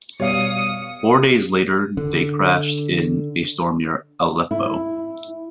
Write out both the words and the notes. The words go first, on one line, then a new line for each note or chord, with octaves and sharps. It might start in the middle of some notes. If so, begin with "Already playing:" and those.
Four days later they crashed in a storm near Aleppo.
B2 G3 C#5 F5 D#6 C#7
D3
E4